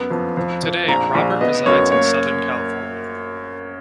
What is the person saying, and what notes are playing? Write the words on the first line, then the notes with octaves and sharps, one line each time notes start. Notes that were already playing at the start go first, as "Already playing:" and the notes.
Today, Robert resides in southern California.
Already playing: F#2 B3 B5
F2
F2
F2
A#1 A#5
A#1
B3 D#5
F#2 C#5
A#3 C#5